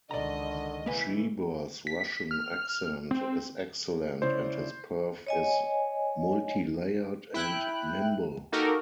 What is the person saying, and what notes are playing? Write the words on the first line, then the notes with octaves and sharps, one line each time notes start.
Trebor's Russian accent is excellent, and his perf is multilayered and nimble.
C#2 D3 D#3 D5 D#5 A#5
C#3 E3 A#3 B4 G#5
B6
F6
C4
C#3 E4 C5 D5
C#5 D#5 G#5
E4 G5 F#6
A#3 D#4 F#4 G4 A4 A#4